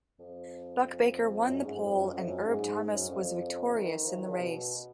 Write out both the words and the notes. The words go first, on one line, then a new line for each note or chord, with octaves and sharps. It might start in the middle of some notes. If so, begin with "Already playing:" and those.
Buck Baker won the pole and Herb Thomas was victorious in the race.
F2
F#2
G#2
F2
F#2
F2
F#2
G#2
F#2
F2
D#3
F3
D#3
C#3
B2